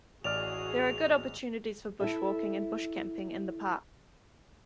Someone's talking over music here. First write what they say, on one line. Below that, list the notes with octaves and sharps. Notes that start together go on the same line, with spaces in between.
There are good opportunities for bushwalking and bushcamping in the park.
A1 F#4 G#4 D5 F6 F7
E4 A4 E5